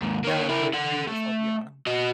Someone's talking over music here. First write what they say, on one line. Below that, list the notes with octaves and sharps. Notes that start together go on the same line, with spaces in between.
Yeah, until, like, treat yourself, yeah.
D#2 G#2
A#3 C#5
E4 A#4
A4 F#5
A3
F#4 D#5